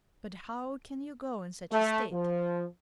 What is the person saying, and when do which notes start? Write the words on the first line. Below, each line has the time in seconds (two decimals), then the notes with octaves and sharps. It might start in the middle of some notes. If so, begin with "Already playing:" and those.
But how can you go in such a state?
1.71 A3
2.12 F3